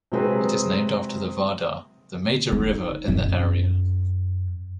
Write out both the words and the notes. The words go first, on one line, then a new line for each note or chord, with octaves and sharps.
It is named after the Vardar, the major river in the area.
C3 F#3 G#3 C4 G#4 B4
D#4
F#2